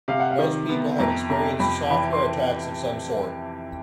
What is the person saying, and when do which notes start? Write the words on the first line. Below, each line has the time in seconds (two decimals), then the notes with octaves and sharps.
Most people have experienced software attacks of some sort.
0.08 C3 F5
0.20 F#5
0.30 F5
0.39 D#3
0.69 B3
0.99 F2 A#5
1.29 C3 A#5
1.60 F2 B5
1.90 E3 B5
2.13 C6